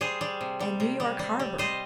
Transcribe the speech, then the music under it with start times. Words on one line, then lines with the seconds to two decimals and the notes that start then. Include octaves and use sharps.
And New York harbour!
0.01 G3 G#4 C5
0.21 G3
0.41 C3
0.60 G3
0.80 C3
1.00 G3
1.19 G3
1.39 G3
1.58 G3 C5 D#5